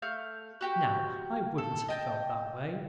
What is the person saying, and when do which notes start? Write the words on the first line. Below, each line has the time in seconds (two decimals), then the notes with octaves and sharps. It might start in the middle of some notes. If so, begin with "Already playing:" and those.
Now, I wouldn't have felt that way.
0.02 A3 F5 G6
0.61 F#4 G4 G5
1.58 A4
1.88 D#5 G5 A5